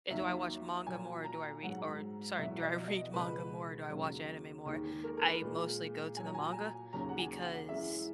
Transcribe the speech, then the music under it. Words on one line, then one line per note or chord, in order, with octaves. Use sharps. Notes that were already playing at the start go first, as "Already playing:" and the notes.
eh, do I watch manga more, or do I re or sorry, do I read manga more, do I watch anime more? I mostly go to the manga, because
D#2 D#3 F#3 E5
A#2 F#3 G#5
A#5
G#2 F#3 F#5
E2 B2 F#3 E5
D#5
D#5
C#2 B2 G#3 B4
D#2 C#3 F#3
D#2 D#3 G#3
G#4
A#4
A#4
B4
A#2 G#3
A#2 F#3 G#5
A#5
G#5
A#5
G#5
D#2 C#3 F#3 A#5
F#5
G#5
F#5
F#2 E3 G#3 E5